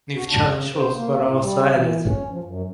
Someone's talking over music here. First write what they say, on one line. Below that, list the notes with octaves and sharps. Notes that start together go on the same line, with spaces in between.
New challenge rules were also added.
F#4
D4
C#3
C5
A#3
A2
G3
E3
C#4
F3
F#2